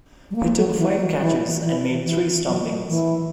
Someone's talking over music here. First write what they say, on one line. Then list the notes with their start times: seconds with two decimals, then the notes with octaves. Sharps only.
He took five catches and made three stumpings.
0.31 G3
0.36 A#3
0.56 F#3
0.77 E3
0.99 F#3
1.20 E3
1.62 E3
2.04 E3
2.47 F#3
2.88 E3